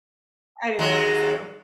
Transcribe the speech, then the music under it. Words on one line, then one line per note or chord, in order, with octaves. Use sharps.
I didn't think so.
D#2 F#3 G#3